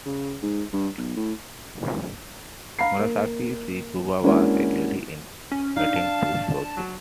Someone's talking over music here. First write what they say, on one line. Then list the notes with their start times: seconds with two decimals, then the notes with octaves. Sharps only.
Murasaki Shikibu was a lady in waiting to Shoshi.
0.06 C#3
0.43 G#2
0.73 G2
0.98 B1
1.16 A2
2.79 F5 A#5 B5 C7
2.99 A#3
4.24 G#3 A#3 C#4 D4 E4 F#4
5.51 C#4
5.77 D4 D#4 F5
5.96 A5
6.77 F#3